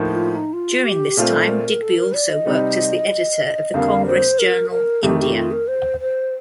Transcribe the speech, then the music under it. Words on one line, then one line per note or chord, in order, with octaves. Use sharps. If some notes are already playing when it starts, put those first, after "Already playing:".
During this time Digby also worked as the editor of the Congress journal "India".
Already playing: A2 F3 A#3 D#4
F4
F4
D#4
F4
G4
A#2 A3 C4 F4 A4
A#4
A4
A#4
D5
D#5
C3 G3 C4 D#4
F2 D3 G3 A#3 F5
C5
A#4
A#4
F2 D#3 A3 G4
G4
F4
A#4
C5
C5